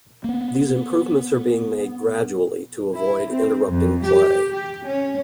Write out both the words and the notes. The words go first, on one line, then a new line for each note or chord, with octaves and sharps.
These improvements are being made gradually to avoid interrupting play.
A#3 B3
E4
C4
F2
G4
G4
C#4